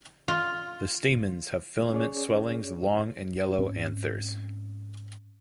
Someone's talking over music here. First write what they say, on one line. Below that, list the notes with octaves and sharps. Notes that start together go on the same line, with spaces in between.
The stamens have filament swellings long and yellow anthers.
F4
C#4 G#4 C#5 D5
G#2 C4 C#4